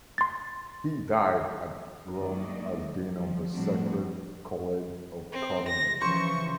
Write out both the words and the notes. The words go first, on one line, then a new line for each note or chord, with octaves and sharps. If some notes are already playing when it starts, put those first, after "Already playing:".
He died at Rome as Dean of the Sacred College of Cardinals.
C6 A6
D#3 F#3 G#3 A#3 D5 D#5
F3 G3
A2 F3 G3 C4 D4 F#4
C4
A#6
C#3 E3 F3 C5 C#6